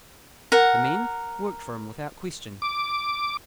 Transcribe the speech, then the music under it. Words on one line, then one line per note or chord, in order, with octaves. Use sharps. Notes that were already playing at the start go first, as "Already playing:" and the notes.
The men worked for him without question.
A#4 F#5
D6